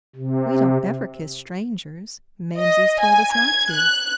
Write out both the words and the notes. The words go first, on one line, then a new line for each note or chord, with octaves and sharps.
"We don't ever kiss strangers--mamsie's told us not to."
C3
D#5
G#5
G#6
F#6